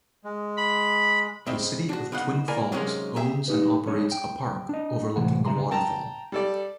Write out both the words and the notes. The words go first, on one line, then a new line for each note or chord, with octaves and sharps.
The City of Twin Falls owns and operates a park overlooking the waterfall.
G#3
B5
C#2 C#3 C4 D#5 E5
D4 F#4
C#3 B3 D#4 F5 F#5
A#3 E4 A#4 D5 G#5
C3 D#3 F#3 G#3 A#3 C#4
G4 G#4 E5
D#4 G4 B4
D4 D#4 G#4 C#5
G5
D4 D#5
A2 C3 E3 F#5
C#3 E5 A#5 C6
G5 A5 A#5
G3 A4 D5